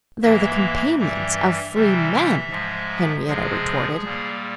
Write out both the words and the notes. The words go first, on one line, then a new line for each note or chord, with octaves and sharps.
"They're the companions of freemen," Henrietta retorted.
G#2 E3 A#3 E5
G2 E3 G3 E5
C3 E3 G3 E5
E5
G#2 F3 G#3
C3 F3 G#3 G#4
A#2 G3 A#3